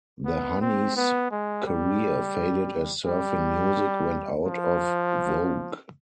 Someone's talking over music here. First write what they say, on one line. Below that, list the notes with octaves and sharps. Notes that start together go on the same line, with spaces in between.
The Honeys' career faded as surfing music went out of vogue.
B3
C4
B3
G#3
G3
G3
F3